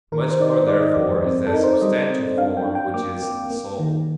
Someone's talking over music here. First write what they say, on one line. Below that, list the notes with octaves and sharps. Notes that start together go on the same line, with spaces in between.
Much more therefore is that substantial form which is the soul.
D#3 A#4
C5
D#4 D5
C5
D#4 D5
D#5
F2 D5
C4
A4
D#4 A#4
C5
D5
G3 D#5
C4
D4 F5
G5
D4
G5
A#3 D6
A#3
A#3
D#3